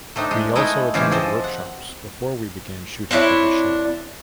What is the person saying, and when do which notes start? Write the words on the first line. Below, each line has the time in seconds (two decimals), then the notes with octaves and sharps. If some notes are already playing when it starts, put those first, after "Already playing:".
We also attended workshops before we began shooting for the show.
0.16 A3 C4 D4 D#4
0.31 G#3
0.55 G#3 A3 D#4 E4 D#5
0.94 C#3 E3 G#3 C#4 G4 C5
1.11 F3 C4 D#5 A5
1.44 F#5
3.11 C4 D4 E4 C#5